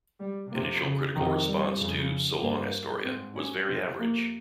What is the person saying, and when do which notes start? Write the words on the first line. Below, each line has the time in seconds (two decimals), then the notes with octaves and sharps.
Initial critical response to "So Long, Astoria" was very average.
0.20 G3
0.51 F2 C3 A#3
0.82 C#3
1.14 F2 C3 D#3
1.46 G3
1.77 F2 C#3
2.40 G2 A#3
3.03 G#2 C4
3.35 C#4
3.67 F2 C3 C4
3.99 A#3